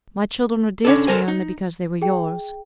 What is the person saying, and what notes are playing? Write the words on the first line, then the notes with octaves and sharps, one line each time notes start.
My children were dear to me only because they were yours.
C#4 D4 A4
D2 A4 A#4 C5 G#5
D#4
G#4 G5